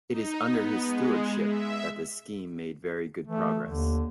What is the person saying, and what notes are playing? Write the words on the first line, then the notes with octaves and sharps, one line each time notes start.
It is under his stewardship that this scheme made very good progress.
D#4
B3
G#3
E5
E3 A3
D#2 D3